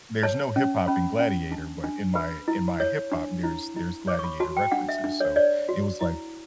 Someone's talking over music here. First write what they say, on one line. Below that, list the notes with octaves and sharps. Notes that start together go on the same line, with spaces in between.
there's no hip-hop in Gladiator, but in my in my hip-hop, there's there's Gladiator references, so it was like
C#5 A5
C#4
C#4 B5
C#4
D4 A5
D4
B4 B5
E4
C#5
D4
E4
E4
C#5 D6
C#6
B5
F#4 A5
G5
D4 F#5
E5
D4
C#5
C#5 D5
F#4
E4